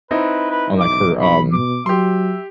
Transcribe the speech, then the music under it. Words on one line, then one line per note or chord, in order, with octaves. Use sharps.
on, like, her, um
C4 D#4 E4 B4
B4
B1 D6
B5
B2 D6
F#3 G4 E5 C6